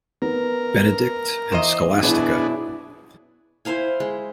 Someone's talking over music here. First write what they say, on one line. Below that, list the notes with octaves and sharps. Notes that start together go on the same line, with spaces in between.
Benedict and Scholastica.
B3 A#4
E2 C5 D#5 E7
F#2 B2 B3 D4 E4 G#4
E4 C5 F5 G#5
G#3